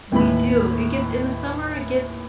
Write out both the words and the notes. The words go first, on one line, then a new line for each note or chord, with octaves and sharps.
We do. It gets in the summer, it gets,
D#2 A2 E3 B5